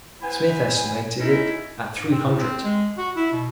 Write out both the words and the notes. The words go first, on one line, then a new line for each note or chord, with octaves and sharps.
Smith estimated it at three hundred.
B3 E4 C5 G#5
G#3 C#4 D#4 E4
G#2
C4
A2
C4
G#3
F#4
E4
B2